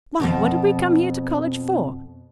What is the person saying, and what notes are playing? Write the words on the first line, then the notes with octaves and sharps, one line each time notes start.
Why, what did we come here to college for?
F2 G#2 B2